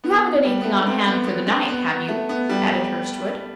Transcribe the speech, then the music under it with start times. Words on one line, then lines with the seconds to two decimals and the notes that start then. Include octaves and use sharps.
"You haven't anything on hand for the night, have you?" added Hurstwood.
0.04 B3
0.45 G3
0.61 B3
0.65 A3
0.81 B3
0.86 C4
1.07 B3
1.27 B3
1.47 C4
1.68 B3
1.88 B3
2.08 A3
2.29 B3
2.49 G3